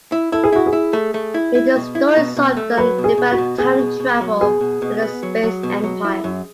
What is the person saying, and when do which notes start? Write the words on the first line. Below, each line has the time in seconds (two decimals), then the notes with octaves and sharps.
Later stories saw them develop time travel and a space empire.
0.12 E4
0.32 E4 A4
0.44 G#4
0.52 E4 F#4
0.66 G#4
0.73 E4
0.93 A3
1.14 A3
1.34 E4
1.55 E4
1.76 B2
1.95 E4
2.17 B2
2.37 B2
2.57 A3
2.77 F#3 B4
2.98 B2
3.04 G#4
3.18 B2
3.32 F#4
3.38 B2
3.58 B2 G#4
3.79 B2
4.00 B2
4.21 F#3
4.41 B2 G#4
4.61 B2
4.82 B2
5.02 B3
5.23 F#3
5.43 F#3
5.63 B2
5.84 F#3
6.04 E4
6.24 F#2